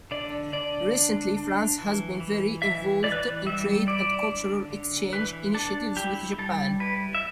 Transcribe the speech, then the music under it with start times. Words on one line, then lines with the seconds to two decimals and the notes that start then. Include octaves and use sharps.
Recently France has been very involved in trade and cultural exchange initiatives with Japan.
0.11 D3 D5
0.53 D3 D5
0.95 D4
1.37 D4
1.78 E3
2.20 E3
2.62 E3 E5
3.04 E3 D5
3.12 B4
3.21 D5
3.46 G3 E5
3.87 E4 D5
4.29 D3
4.71 D3
5.12 E3 B4
5.54 D4 A4
5.97 E4 G4
6.38 G3 A4
6.80 E4 B4
7.15 E5